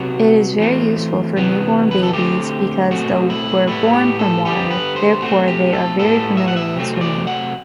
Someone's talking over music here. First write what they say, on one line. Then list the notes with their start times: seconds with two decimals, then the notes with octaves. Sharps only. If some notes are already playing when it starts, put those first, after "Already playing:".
It is very useful for newborn babies because the were born from water, therefore they are very familiar with swimming.
Already playing: C3 F#3 B3 F#4
0.59 E3 A3 C4
1.37 C3 E3 B3
1.91 B4
2.03 A4
2.13 D3 A3 C4 G4
2.91 B2 A3 C4 F#4
3.30 E4
3.68 A2 G3 B3 E4
3.93 G4
4.19 A4
4.45 D3 G3 B3 G4
4.71 B4
4.96 C5
5.22 B2 A3 C4 F#4
5.48 G4
5.73 A4
5.99 A2 G3 B3 A4
6.37 E5
6.48 F#5
6.56 E5
6.76 C3 F#3 A3 C4
7.01 D5
7.27 F#5